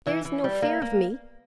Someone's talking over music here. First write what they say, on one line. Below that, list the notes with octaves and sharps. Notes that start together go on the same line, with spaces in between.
There's no fear of me.
E3
E3
G3
A#3
A#3